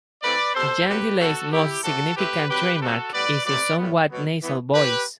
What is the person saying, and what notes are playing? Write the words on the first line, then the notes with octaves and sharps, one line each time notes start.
Jan Delay's most significant trademark is his somewhat nasal voice.
E3 A3 C4 B4 D5
B2 G3 C4 A4 C5
C3 F#3 A3 C4 G4 B4
B2 F#3 B3 F#4 A4
E3 B3 E4 G4
D3 A3 C4 F#4 A4
A2 E3 A3 C4 G4 B4
C3 F#3 C4 G4 B4
C3 F#3 A3 C4 F#4 A4
A2 G3 B3 B4 D5
C3 F#3 A3 B4 D5
A2 G3 B3
B2 F#3 B3
E3 B3
E3 A3 C4 G4 B4